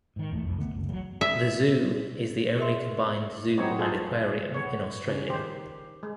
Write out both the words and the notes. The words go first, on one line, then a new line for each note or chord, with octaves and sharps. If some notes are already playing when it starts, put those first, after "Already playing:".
The Zoo is the only combined zoo and aquarium in Australia.
G#2 D#3
E1 A1 A2 A3
C2 F2
D3 A3 B3
F#1 C#2
F#3 G3
E5
G#4 A#4 D#5 E5 C6
F#3 B3 C4 D#4 C#5
F4 G#4 A4 C5
B3 C#5
C#3
D#3 G4 C5
G#3